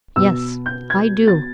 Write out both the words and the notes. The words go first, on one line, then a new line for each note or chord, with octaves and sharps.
"Yes, I do."
B2 E6
G6
G#6
A6